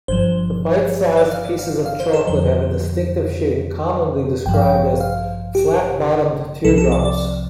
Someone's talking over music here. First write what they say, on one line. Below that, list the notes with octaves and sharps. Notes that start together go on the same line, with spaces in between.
The bite-sized pieces of chocolate have a distinctive shape, commonly described as flat-bottomed teardrops.
G1 G2 F3 C5
D5
F5
D5
F5
F5
C5
A4
F2 D3 F3 C5
A1 G2 F3 G5
F5
G5
F5
G4
C2 C3 F3 A4
A4
D5
D5